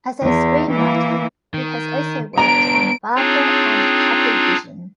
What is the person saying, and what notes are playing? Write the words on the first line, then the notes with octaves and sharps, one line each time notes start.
As a screenwriter, he has also worked on "Barbara" and "ChuckleVision".
E2
E3 A#3
D#3
B3 D4 A#5 D7
C4 D4 D#4 F4 G#4 C#5